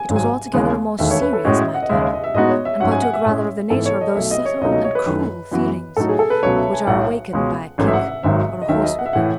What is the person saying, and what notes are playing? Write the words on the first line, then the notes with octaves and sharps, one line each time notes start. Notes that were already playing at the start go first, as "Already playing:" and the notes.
It was altogether a more serious matter, and partook rather of the nature of those subtle and cruel feelings which are awakened by a kick or a horse-whipping.
Already playing: G#5
G#1 G#2 F#3
G#5
D#2 C#3 E3 G#3 B3
E1 D#2 D#3 A3 E5
C#5
B4
A4
A2 G#3 C#4 F#4 D#5
E5
F#5
D#5
D#2 C#3 G#3 E5
D#5
D#5
E5
A2 G#3 B3 D#4 F#4 D#5
C#5
E5
G#2 F#3 C#4 F#4 F#5
G#5
F#5
E5
A2 G#3 C#4
G#2 E3 B3 E4 A4
C#5
D#5
B1 B2 A3 E5
D#5
C#5
C#2 B2 F#3 A3 D#4 D#5
D#5
C#5
B4
F#2 D#3 A3 E4
F#2 E3 B3 F#4
A2 F#3 A3 D#4 F#4 A4
G#4
A4
B4
C#2 B2 F#3 C#5
E5
G#5
B1 A2 F#3 F#5
C#2 B2 G#3 C#4
A1 G#2 F#3 A3 C#4
E5
F#5
E5
G#1 G#2 D#3 F#3 E5
D#5
D#2 D#3 F#3 E5
D#5
F#5
E5
A2 E3 F#5